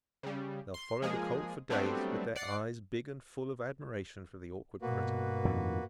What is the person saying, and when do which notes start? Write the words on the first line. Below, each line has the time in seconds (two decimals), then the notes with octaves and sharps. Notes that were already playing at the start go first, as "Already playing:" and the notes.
They'll follow the colt for days, with their eyes big and full of admiration for the awkward critter.
0.23 C#3 G3
0.74 C6
1.02 F3 G#3 A#3 G#4
1.70 F#3 G3 A3 B3 C4 D4
2.36 D5 F#5 C7
4.82 G2 B2 A#3 F#4 B4
5.45 F2 A2 D#3